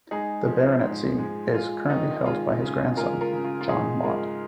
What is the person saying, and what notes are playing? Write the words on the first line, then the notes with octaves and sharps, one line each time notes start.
The baronetcy is currently held by his grandson, John Mott.
G#3 D#4 G#4
F3
G#2
G#3
G#3 F4
D#3 D#4
G#3 F4
C#3
G#3 F4 A#4
F4 A#4
C#3
F4
F4
G#2 D#4 G#4
G#3 F4 A#4